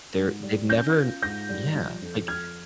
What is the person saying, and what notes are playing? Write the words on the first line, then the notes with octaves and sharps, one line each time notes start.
they're they've never Yeah, like,
G#2
G3
C#4 G6 A#6
F4
G#2 G6 A#6
G3
F3
F2
F2 F6 G#6